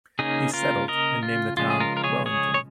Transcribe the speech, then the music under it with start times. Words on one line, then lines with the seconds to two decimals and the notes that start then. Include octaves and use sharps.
He settled and named the town Wellington.
0.19 C#3 A#3 C#4 D#4 G#4
0.53 F4 A#4
0.88 A#4 D#5
1.23 F4
1.57 C#3 F3 G#3 C#4 F4
1.70 G#4
1.80 F4 A#4
1.97 A#4
2.04 G#4 C#5
2.26 G#4 C#5
2.54 C#5